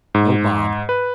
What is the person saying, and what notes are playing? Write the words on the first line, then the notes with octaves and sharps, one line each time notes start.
No Bob.
G#2
B4